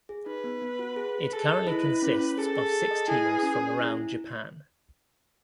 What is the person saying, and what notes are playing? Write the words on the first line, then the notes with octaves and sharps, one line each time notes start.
It currently consists of six teams from around Japan.
G#4
D#4 B4
B3
B3
F#4
G#4
G#4
G#4 A4
D#5
E4 B4
E4
C#4
C#4
G#4 A4
G#4
G#4
D#5
E4 G#4
B4
C#4
C#4
E4